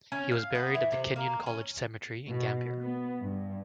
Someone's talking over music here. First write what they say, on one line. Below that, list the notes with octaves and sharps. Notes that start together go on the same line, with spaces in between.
He was buried at the Kenyon College Cemetery in Gambier.
C#4
F5
B3
E3
C3
A#3
C#4
B2
B3
G2